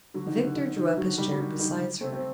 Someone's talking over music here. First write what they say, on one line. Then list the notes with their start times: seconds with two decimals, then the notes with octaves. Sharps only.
Victor drew up his chair beside her.
0.14 D3 F#3
0.27 D#3
0.36 D3
0.47 D3
0.56 D#3
0.77 D#3
0.97 D3 F#3
1.18 D#3 G3
1.33 G3
1.38 D3 F#3
1.59 D#3 G3
2.01 A3 C4
2.13 C4